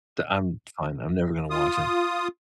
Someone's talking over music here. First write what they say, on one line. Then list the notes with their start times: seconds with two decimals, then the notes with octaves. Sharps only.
D I'm fine, I'm never gonna watch it.
1.50 F4 D#6